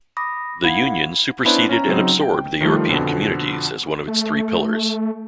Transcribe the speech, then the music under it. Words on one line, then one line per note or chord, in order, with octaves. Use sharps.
The Union superseded and absorbed the European Communities as one of its three pillars.
B5 D6 D#6 A#6
D#4 E4 F5 F#5 B5 G#6
B3 C#4 D4 E4 B4 C5
C#4 A#5
C#3 F#3 C4 D#4
G5
D#3 F3 G3 A3 F4
F2 B2 D3
A3